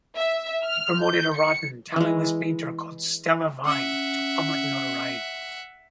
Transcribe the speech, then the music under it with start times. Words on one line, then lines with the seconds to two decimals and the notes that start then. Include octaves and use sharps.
He promoted a rotten, talentless painter called Stella Vine to public notoriety.
0.15 E5
0.64 F6
1.03 G6
1.36 C#7
1.96 E3 G#3
3.65 C#4 E5 F#5